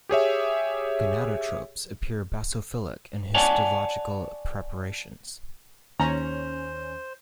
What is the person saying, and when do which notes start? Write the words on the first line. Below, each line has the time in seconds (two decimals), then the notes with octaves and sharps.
Gonadotropes appear basophilic in histological preparations.
0.09 G4 G#4 C#5 E5
3.34 C#5 D5 F#5 G#5 A5
6.00 D#2 C#4 C5 A#5